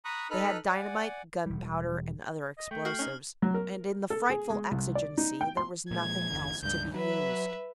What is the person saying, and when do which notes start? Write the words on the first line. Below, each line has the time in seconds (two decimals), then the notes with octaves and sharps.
They had dynamite, gunpowder and other explosives, and in the frightful exigency there was nothing else to be used.
0.05 A#5 B5 C#6 D#6 F#6
0.31 D#4 A4 B4 B5 F6 F#6
0.66 D5 F#5 G#5
1.46 E1 G3
2.58 D#5
2.71 A3 G5
2.85 F#4 F6 C7 F#7
2.99 C#4 D#4 F6
3.42 F#3
3.54 A#4
4.10 A4
4.30 G#4
4.50 G#3
4.71 C2
4.95 D5
5.18 D#4
5.41 G5
5.57 C6
5.91 A#2 F3 G#3 G#6
6.30 G1 E2 D3
6.63 C#2 G2 G6
6.94 F#3 B4 E5